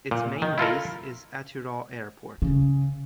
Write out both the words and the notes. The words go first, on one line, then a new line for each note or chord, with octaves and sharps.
Its main base is Atyrau Airport.
A#2
D#3
E4 F4 A4 A#4
C#3